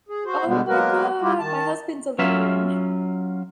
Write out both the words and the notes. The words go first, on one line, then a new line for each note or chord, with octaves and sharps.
Oh my god! My husband's a veteran.
G#4
F#4 C5
B2 D3 G3 G#3 B3
F#3 G#3 A#3 B3 A#4 B4
G3 E4 F4 G4
D#3 A5
F#3 C#4 F4 E5